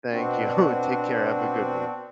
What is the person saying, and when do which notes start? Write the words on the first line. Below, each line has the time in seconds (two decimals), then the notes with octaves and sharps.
Thank you. And, take care. Have a good one.
0.10 B2 C4 D4 F#4